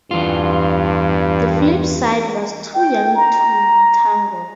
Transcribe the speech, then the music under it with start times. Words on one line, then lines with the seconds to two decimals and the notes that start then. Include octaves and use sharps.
The flip side was Too Young to Tango.
0.11 E2 G2 F4
2.75 G5
3.15 A#5